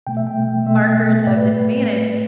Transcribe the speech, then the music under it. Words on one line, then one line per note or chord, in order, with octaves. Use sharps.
markers of disadvantage,
B2 A3 G5
E5
G5
B2 A3
B2 A3 E5
B2 A3
A2 A3 D5
B4